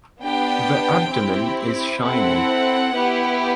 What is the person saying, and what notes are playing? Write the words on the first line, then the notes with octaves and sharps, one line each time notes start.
The abdomen is shiny.
B3 D4 G4 G5
C4 E4 G4
C4 E4 A4 F#5
B3 E4 G4